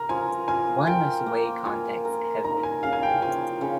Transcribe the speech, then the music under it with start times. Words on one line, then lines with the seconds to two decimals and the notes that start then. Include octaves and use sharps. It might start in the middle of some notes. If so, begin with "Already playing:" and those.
One must weigh context heavily.
Already playing: A#4 A#5
0.09 F3 G#5
0.48 F4 G#5
0.87 A#4 G5
1.26 A#3
1.65 F4 G#5
2.05 A#4
2.44 D#4 A#5
2.63 G#5
2.83 C#3 F5
2.93 G#5
3.03 G5
3.22 F3 G#5
3.61 C#3